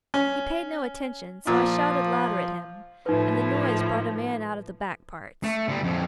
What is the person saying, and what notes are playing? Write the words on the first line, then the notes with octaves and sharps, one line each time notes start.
He paid no attention, so I shouted louder at him, and the noise brought a man out of the back parts.
C#4
A#2 F3
A2 F3 D#4 B4
A3
D3 G3
F2 D3